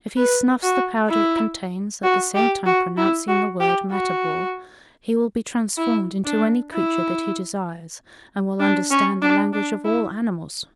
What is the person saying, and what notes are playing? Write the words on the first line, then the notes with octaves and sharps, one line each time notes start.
If he snuffs the powder it contains, at the same time pronouncing the word 'Matabor,' he will be transformed into any creature that he desires, and will understand the language of all animals.
B4
F#4
E4
F#4
G4
F#4
E4
F#4
G4
F#4
E4
D4
E4
D4
C#4
D4
D4
E4